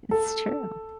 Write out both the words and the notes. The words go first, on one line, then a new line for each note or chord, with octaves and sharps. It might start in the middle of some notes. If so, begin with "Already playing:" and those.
it's true.
A4